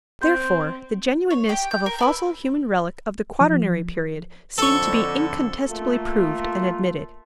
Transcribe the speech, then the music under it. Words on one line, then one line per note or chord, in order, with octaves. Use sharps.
Therefore the genuineness of a fossil human relic of the quaternary period seemed to be incontestably proved and admitted.
C4 C6 G6
C#5
G4 G5
G6
A#4
D4 E4 B4
F3
F2 D3 A4 C#6
A3 A#3 F4